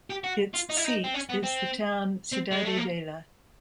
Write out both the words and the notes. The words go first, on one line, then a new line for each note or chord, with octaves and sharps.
Its seat is the town Cidade Velha.
G4
F#4
F4
D#4
E4
D#4
C4
C#4
B3
C4
C4
G#3
A3
A#3